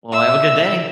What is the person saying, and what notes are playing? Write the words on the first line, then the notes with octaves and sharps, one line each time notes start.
Well, have a good day.
E5 E6